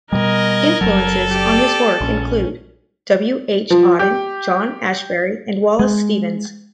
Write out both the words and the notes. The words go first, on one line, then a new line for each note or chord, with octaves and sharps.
Influences on his work include: W. H. Auden, John Ashbery, and Wallace Stevens.
B2 G3 A#4 D#5 G#6
F#1 F#3 A4
G4 D5
A#1 C#4
F3
G4
G#3